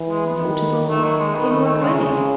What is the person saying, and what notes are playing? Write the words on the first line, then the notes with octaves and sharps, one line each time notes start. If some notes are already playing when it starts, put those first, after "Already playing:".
"Notable--in what way?"
Already playing: E3
G#3
B3
D#3
D#3 A3
F#3
G#3
D#3 B3
A3
A3
C#3 G#3
F#3
G#3